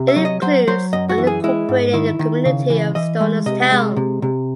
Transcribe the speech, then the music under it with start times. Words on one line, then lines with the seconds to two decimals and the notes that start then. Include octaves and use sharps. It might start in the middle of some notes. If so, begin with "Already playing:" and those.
It includes the unincorporated community of Stonerstown.
Already playing: C3
0.08 E5
0.16 F#3
0.25 D#5
0.42 F#3 C5
0.67 F#3 C5
0.93 F#2 D#5
1.09 F#4
1.18 E3
1.27 G#4
1.44 G#3 E4
1.69 G#2
1.94 D#3 E4
2.19 D#3
2.45 C#3
2.70 E3
2.95 E3 D#5
3.21 G#3
3.46 C3 D#5
3.72 G#3
3.97 C3
4.22 C3